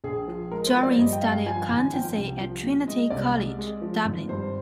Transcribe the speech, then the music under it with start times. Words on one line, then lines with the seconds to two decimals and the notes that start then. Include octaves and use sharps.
Guerin studied accountancy at Trinity College, Dublin.
0.04 A#1 G#4
0.28 F3
0.52 G#3 A#4
0.67 C5
0.75 F3
0.83 D5
0.98 G2 D#5
1.13 G5
1.22 G2 F5
1.46 F3 G#5
1.69 G#1
1.93 F3 G5
2.16 C2
2.41 F3
2.63 A#2
2.87 G#3 D#5
3.10 C2 D5
3.35 G#3
3.58 G#3
3.82 F3
4.05 G#1
4.29 G2 C5